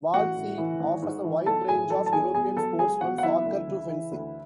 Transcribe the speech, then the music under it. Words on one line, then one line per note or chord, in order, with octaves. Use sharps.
Waldsee offers a wide range of European sports from soccer to fencing.
A1 F#4 F#5
A2
E3
G#1
G#2
E3
B1 A4 A5
A2 G#4 G#5
F#3 A4 A5
A5
E2 G#4 G#5
B2 G#4 G#5
F#3 A4 A5
C#2 G#4 G#5
B2 F#4 F#5
F#5
F#3 E4 E5
D2
C#3
E3
D2